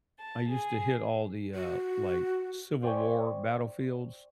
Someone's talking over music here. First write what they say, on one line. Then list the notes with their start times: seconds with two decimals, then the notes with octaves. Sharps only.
I used to hit all the, uh, like, civil war battlefields
0.17 A5
0.49 G#4
1.55 F#4
2.83 C5 D5 G5 G#5 C#6